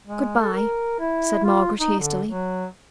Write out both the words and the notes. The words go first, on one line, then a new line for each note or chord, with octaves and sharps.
'Good-bye!' said Margaret, hastily.
G#3
A4
A#4
E4
F4
D#4
D3
F#3